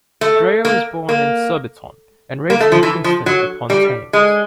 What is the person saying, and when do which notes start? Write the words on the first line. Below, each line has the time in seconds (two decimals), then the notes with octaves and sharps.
Dreja was born in Surbiton, and raised in Kingston upon Thames.
0.21 A3
0.65 A#3
1.09 A#3
2.50 A#3
2.60 A3
2.72 F3
2.83 E3
3.04 F3
3.26 F#3
3.70 G3
4.13 G#3